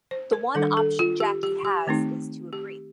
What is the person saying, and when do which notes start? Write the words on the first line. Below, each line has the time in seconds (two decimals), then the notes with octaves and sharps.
The one option Jackie has is to agree.
0.11 C5
0.33 A#4
0.55 D#3 G3 D4 A4
0.77 A4
0.99 F4
1.20 G4
1.43 G4
1.65 G4
1.87 D#3 A3 C4 D#4
2.53 G4